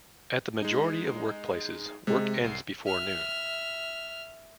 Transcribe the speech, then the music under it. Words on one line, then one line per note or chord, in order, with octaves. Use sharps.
At the majority of workplaces, work ends before noon.
G#3 D#4
C3 G#3
C2 C7
E5 F6